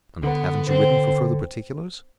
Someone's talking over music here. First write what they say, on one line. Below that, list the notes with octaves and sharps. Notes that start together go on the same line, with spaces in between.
"And haven't you written for further particulars?"
D3 B3
D3 C4